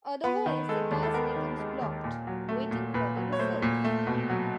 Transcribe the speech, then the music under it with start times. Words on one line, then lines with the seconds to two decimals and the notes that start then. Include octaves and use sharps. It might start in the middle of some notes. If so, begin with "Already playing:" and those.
Otherwise the task becomes blocked, waiting for the resource.
0.24 B3 B4
0.46 D#3
0.69 G#3 A4
0.91 D#2
1.03 A4
1.14 B3 A#4
1.36 D#3
1.59 G#3
1.82 D#2
2.04 A#2
2.27 F#3
2.49 A3
2.71 A#2
2.94 A#2 B4
3.16 F#3
3.32 C#5
3.39 A3 C5
3.62 A#2
3.84 A3
4.07 B2
4.30 F#3